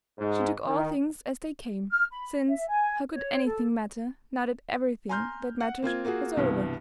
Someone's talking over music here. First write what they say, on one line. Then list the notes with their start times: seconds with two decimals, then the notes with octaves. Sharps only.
She took all things as they came, since how could anything matter now that everything that mattered was over?
0.18 G#2
0.67 D#3
1.90 F6
2.11 B5
2.48 E5
2.67 G#5
3.12 C#5
3.45 A4
5.09 G#5 A#5 C6 F6 G6
5.60 F#5
5.82 A#3 C4 F4 G#6
6.05 A#3 F4 F#4 G#4
6.37 C2 G2 B2 E3